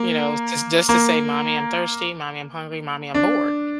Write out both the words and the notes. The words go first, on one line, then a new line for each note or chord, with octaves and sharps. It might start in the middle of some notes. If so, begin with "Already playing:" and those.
You know, jus just to say, "Mommy, I'm thirsty. Mommy, I'm hungry. Mommy, I'm bored."
Already playing: A#3
A#3
D4